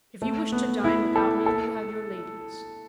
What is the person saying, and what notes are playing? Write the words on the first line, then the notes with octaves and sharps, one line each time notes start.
If you wish to dine without me you have your ladies.
A3
B3
E4
A4
A4